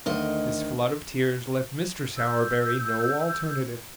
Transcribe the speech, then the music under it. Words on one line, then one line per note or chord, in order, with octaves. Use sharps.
This flood of tears left Mr. Sowerberry no alternative.
D2 D#3 D#5
E6 G6